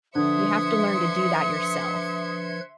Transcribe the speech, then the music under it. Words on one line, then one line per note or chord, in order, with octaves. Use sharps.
you have to learn to do that yourself
D3 F3 B4 E5 C6 D#6 G#6 C#7